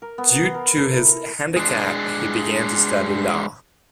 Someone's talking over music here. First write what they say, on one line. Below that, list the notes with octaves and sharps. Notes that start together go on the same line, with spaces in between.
Due to his handicap he began to study law.
A#4
B3
A#4
A4
E4
A#4
G#3 D4